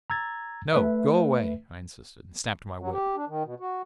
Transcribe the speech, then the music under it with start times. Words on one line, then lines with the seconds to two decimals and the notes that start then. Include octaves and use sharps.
"No; go away," I insisted, and snapped my whip.
0.10 A#5 E6 G#6 A6
0.73 A3 B4 E5
2.79 F#3
2.92 G4
3.16 D4
3.28 D#3
3.45 B2
3.60 F#4